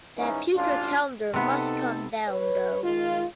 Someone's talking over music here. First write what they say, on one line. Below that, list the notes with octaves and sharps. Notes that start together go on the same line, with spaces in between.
That putrid calendar must come down, though.
G#2 E3 C#4 D#4
A1 D4 F4
C3 B3 D#4 A4
B4 C#5
D#3 G#3 F4